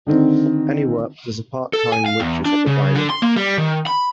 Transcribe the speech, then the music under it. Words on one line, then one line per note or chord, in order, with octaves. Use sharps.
Annie works as a part-time Waitress at the diner.
D3 D#3 C4
A4
G#5
F5
E2
D4
C#3
D3
C6
A#3
G3
D#3
B5